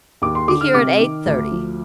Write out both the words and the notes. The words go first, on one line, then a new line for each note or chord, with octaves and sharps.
Be here at eight-thirty.
D#2 D6
C6
D3 D6
F6
C3 D6
D#3
D2
F3